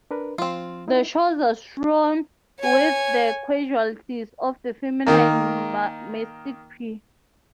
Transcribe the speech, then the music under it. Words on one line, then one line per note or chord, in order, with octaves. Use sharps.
The shores are strewn with the casualties of the feminine mystique.
D4 A#4 B4
F3 C4 F4
D#4 E4
C#5 G#5
D#3 A#3